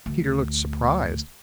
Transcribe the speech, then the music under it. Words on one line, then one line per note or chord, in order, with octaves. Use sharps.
Peter looked surprised.
D2